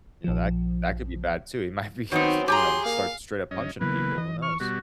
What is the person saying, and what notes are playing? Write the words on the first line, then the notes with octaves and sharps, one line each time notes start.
You know that that could be bad too, you might be s you know, start straight up punching people, who knows?
A#1 F3
D#3 F#3 B3 C4 D#4
G4 G#4 G#5 A#5 C6
A#3 F5
F#2 C#4 D#5
C#3 E3 F#3 A#3 B3 B4
E3 D#5
C#6 F6
B2 G3 F#4